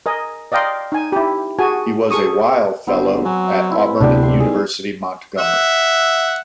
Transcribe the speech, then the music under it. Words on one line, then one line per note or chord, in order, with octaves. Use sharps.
He was a Weil fellow at Auburn University Montgomery.
A#4 D#5 G#5
D5 D#5 F5 G5 A#5 C6
D#4 G#5
E4 G4
F#4 G#4 G#5 A5
G#4 A4 C#6 D#6
G1 B3 C4 C5
F#3 G#5
C4 E4 B4
D1 D2 C3 B3 D4 G4
C6 C#6
B1 G#4
E5 F#5